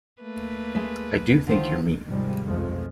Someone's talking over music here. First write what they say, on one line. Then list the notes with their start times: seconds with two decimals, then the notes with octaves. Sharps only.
I do think you’re mean.
0.22 A3 A#3 B4
0.75 G#3 E5
1.47 D3 D#3 F4 C5
2.07 G#2 C3 D#3 F3 G3 G#3
2.46 B1 F2 F3 G#3 A3